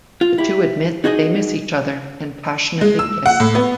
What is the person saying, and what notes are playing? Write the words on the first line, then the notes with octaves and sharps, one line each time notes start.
The two admit that they miss each other and passionately kiss.
F4
E4 G4
D#4 F#4 G#4 C5 D#5
G#3
E6
F#5
A2
B3